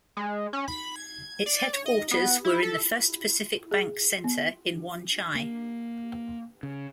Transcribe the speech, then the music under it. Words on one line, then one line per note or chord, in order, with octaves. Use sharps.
Its headquarters were in the First Pacific Bank Centre in Wan Chai.
G#3
C#4
B5
G#6
D5
C#5
D#5
B3
E4
A4
G#4
B3
A#3
C#3